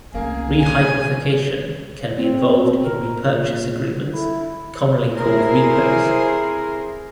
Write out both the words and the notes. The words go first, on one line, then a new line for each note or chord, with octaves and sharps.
Rehypothecation can be involved in repurchase agreements, commonly called repos.
C2 C#3 A3 A#3 G#4
D3 B3 G#5
C4
A#4
A#2
D3
E4
C3 E4 G#4 A#4 C5